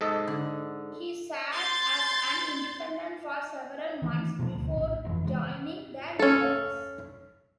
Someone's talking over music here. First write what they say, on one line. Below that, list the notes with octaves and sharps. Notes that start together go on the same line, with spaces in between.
He sat as an independent for several months before joining the Liberals.
G#2 A4 D#5
D3
C6 G6 A6
D#3 E3 G3 A3
B2 F3 G3 A3
D2
A#1 A2
G1 F2 B2 E3
C#3 E3 F3 G#3
C#4 A4